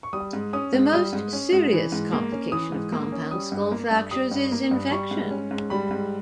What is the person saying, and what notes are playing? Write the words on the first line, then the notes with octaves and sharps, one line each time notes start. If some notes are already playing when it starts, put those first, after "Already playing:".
The most serious complication of compound skull fractures is infection.
C#6
G3 D#6
G#2
C#4 D#6
G#2
G3 D#6
G#2
C#4
G#2
E3
G#2
A#3
C#4
E3 D#6
G#2
A#3
C#4
G3 D#6
G2
A#3
G2
G3 D#6
G2
A#3
G2
G3 C#6
G#2
C#4
G#2
G3 B5
G#2